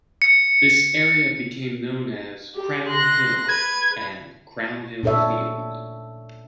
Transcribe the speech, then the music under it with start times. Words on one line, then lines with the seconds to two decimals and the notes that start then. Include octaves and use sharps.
This area became known as Crown Hill and Crownhill Field.
0.22 C#7
2.56 G4
2.89 C6 F#6 A#6
3.48 B4 G#6
5.03 A#2 D4 A4 C#5 E5